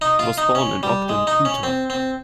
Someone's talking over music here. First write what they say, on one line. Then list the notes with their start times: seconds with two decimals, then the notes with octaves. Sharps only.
He was born in Ogden, Utah.
0.01 D#4
0.19 F4
0.38 D#4
0.55 C#4
0.83 G3
1.09 G#3
1.27 D#4
1.45 C#4
1.63 C4
1.90 C4